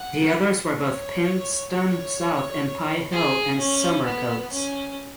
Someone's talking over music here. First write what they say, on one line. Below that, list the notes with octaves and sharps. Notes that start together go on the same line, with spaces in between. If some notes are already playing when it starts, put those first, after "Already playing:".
The others were both Pinxton South and Pye Hill and Somercotes.
Already playing: F#5
C#5
C#5
G#4
C#4
B3
C#4